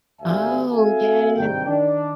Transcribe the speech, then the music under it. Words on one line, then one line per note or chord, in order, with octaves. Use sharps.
Oh, yes.
G#1 D2 G4 E5 F5 G#5
C4 F#4 A4 E5 F5 G#5
G#1 G2 C3 D#3 G5
D#3 D4